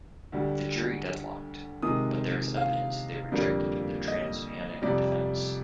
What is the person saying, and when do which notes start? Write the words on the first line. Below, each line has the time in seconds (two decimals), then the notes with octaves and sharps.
The jury deadlocked, but there is evidence they rejected the trans-panic defense.
0.32 D2 D3 G3
1.82 C3 D#3 G#3 D#6
2.57 F5
3.32 F2 D3 G3 A#3
4.08 D#5
4.81 F2 C3 G3 D5